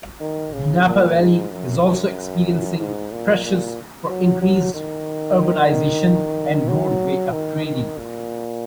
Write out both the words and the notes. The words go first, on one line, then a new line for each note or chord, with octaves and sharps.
The Napa Valley is also experiencing pressures for increased urbanization and roadway upgrading.
D#3
C#3
A#2
G#2
F#2
G#2
A#2
A#2
F#3
F#3
D#3
F#3
D#3
D#3
A#2